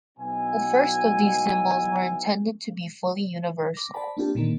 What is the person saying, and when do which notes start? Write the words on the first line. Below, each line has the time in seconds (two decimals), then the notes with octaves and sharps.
The first of these symbols were intended to be fully universal.
0.18 B1 B2 B3 C4 E4 G#5
3.74 D6 A#6
3.94 C5 D5 A5 B5
4.17 A#3 C4 D4 F4 G4 A4
4.35 A#2 D3 D#3 A#3 C4